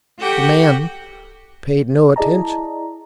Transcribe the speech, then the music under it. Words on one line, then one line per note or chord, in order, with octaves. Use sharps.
The man paid no attention.
F#4 G4 A4 F#5 G5
E4 G#4 D5 D#5 A5 A#5